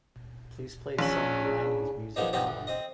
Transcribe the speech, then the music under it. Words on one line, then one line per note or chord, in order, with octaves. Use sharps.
Please play some nineties music album.
A#1 C#4 F#7
C#3 D4 G#4
F3 G#3 A#3 B3 D4 D#4
B2 F3 B3 C4 D#4 G4
D2
C4 D#5